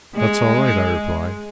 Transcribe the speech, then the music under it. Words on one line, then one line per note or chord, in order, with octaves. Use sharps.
"That's all right," I replied.
G#3